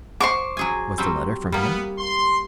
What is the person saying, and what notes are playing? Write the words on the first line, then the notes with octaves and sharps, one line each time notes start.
"Was the letter from him?"
C5 C#6 D6
F#3 G#4 G#5
F#3 G3 C4
G3 A#3 B3
C6